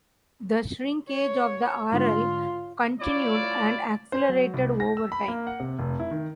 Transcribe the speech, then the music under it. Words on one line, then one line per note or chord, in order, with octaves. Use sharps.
The shrinkage of the Aral continued and accelerated over time.
C#5
G#2 D3 F4
E4 F4 C#5 D5
C5
F#3
C2
A#6
E6
B5
A#3
F#5
C3
F1
E4
D#3